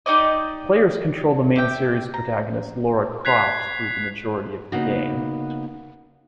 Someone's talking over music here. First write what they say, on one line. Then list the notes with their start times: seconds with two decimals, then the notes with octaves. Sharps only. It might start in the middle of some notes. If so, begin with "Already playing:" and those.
Players control the main series protagonist Lara Croft through the majority of the game.
0.06 D#4 G4 D5 D#5
1.56 G4 E5 G5
2.14 A#5
3.25 F#6 G#6 B6 C7 F7
4.72 C#3 A#3 B3 D#4 F#4